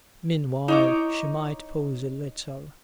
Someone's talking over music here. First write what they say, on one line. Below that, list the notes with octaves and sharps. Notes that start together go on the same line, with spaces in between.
Meanwhile she might pause a little.
D#4 E4 C#5 D6